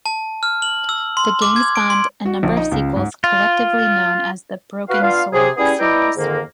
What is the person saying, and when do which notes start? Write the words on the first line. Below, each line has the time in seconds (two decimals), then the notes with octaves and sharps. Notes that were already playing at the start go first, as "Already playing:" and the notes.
The game spawned a number of sequels collectively known as the "Broken Sword" series.
0.06 A5
0.43 F6
0.62 F#7
0.89 E6
1.17 C6
1.42 D6
1.56 G#6
1.76 D7
1.90 C6
2.25 F#4
2.43 A#1
2.57 D#4
2.72 C#2
2.96 G#2
3.24 F4
4.88 F#4 B4 F5
5.01 B3 D4 F4 F5
5.33 C3 G#4
5.56 G3 B3 C#4 E4 G#4
5.79 E4 B4 D5 D#5 G5 A#5
6.16 F2 G#2 D3 D#3 A#3